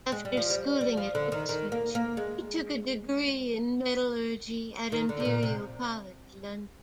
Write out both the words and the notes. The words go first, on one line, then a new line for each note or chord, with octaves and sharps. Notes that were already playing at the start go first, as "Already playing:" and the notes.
After schooling at Ipswich, he took a degree in metallurgy at Imperial College, London.
G#3
G3
F3
G3
G3
F3
D3
D#3
D#3
A#3
A#3
G#3
D#3
D3
C3
A#2
C3